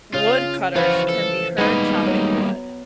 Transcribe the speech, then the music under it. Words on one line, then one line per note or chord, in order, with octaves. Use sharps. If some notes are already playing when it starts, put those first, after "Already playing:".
Woodcutters can be heard chopping wood.
C#3 F4
E3 F3 F4 F#4 B4
A4
G3 G#3 A#3 B3 D#4
F#3